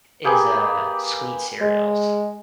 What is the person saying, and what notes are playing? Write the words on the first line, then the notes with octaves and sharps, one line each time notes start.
is, uh, sweet cereals.
A#3 G4 G#4 B4
G#3